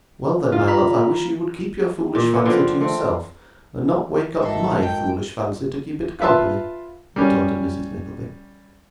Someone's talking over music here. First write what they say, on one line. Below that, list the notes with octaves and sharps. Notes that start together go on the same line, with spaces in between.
'Well, then, my love, I wish you would keep your foolish fancy to yourself, and not wake up MY foolish fancy to keep it company,' retorted Mrs Nickleby.
F4
A#5 B5 B6
A#2
D3 B3
D3 F3 C4
A3 C4
G#1 G#2 A4 E5 A#6 C7
G5
F4 B4 E5 A5 C6
G3 C#4